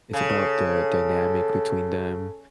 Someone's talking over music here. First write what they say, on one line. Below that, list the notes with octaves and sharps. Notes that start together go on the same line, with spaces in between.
it's about the dynamic between them,
C#3 A4